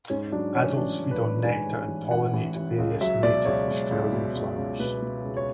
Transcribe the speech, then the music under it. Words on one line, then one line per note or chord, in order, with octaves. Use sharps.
Adults feed on nectar, and pollinate various native Australian flowers.
G#2 C#4
F#3 D4
A1 C#4
A1 D4
A1
B4
A1
G#2 G#5
A1
A1
A1 F#5
A1
A1
C#2
F#3 E5
B2 D5
C#2 C#5
C#2
C#2
B2
C#2
C#2
B2 B4
B2
C#2
C#5